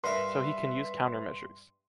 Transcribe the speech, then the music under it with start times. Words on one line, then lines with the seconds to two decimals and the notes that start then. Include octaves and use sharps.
So he can use counter measures.
0.04 G2 A#4 B4 E5 B5 C6